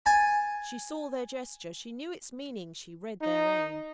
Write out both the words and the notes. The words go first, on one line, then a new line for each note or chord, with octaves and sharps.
She saw their gesture--she knew its meaning,--she read their aim.
G#5 A5
D#4